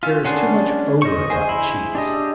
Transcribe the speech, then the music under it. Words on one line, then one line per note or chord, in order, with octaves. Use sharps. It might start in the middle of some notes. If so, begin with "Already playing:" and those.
There is too much odour about cheese.
C#4 F4 E5 F5
C#4 D4 F#4 G#4 C6
C5 D#5 C#6
G#4 C5 C6
E4
D4 G4 D#5